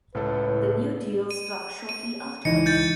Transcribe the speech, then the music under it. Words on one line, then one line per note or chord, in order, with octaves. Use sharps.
"The New Deal" stuck shortly afterwards.
C#2 A2 A4 B4
D#7
D#7
C#2 E3 D#4 C#7
G6 A6